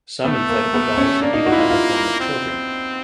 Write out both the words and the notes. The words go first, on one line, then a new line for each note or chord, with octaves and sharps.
Some inflatable dolls even have the form of children.
A3 B3
A#3
B3
C#4
A#3 D4
D#4
F#4
E4
F4
F4
C4